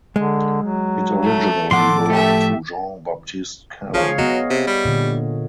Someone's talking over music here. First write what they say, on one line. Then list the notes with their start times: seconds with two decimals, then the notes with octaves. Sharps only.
It originally belonged to Jean Baptiste Caron.
0.16 D3 G#3
0.62 F#3
1.22 A3
1.71 A2 F3 A4 F#5 C6 D6
2.10 A3 G4 E5
3.94 F3 G#4 C#5 F5
4.18 F#3 B3 D#5
4.50 C3
4.67 G3
4.85 A#2 D3